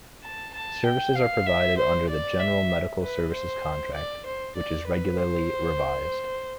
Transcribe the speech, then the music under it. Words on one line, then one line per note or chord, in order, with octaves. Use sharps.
Services are provided under the General Medical Services Contract, which is regularly revised.
A5
A5
G5
F5
E5
C5
D5
E5
B4
C5
D5
C5
D5
B4
C5